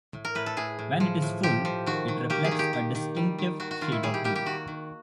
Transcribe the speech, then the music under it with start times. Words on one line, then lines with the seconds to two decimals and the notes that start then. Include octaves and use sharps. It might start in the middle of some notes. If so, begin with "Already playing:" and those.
When it is full, it reflects a distinctive shade of blue.
0.14 A2
0.25 A#4
0.35 A2 B4
0.46 A4
0.57 A2 G#4
0.79 A2
1.00 F3
1.22 A2
1.43 F3 G4
1.65 F3
1.86 D#3 F#4
2.08 D#3
2.30 A#3 G4
2.44 G#4
2.51 D#3
2.59 G4
2.73 D#3
2.95 D#3
3.16 G3
3.39 D#3
3.60 D#3 F#4
3.71 F#4
3.81 D#3 F4
3.92 E4
4.03 G3 G#4
4.14 G4
4.24 A#3 G4
4.36 G4
4.46 D#3 F#4
4.68 D#3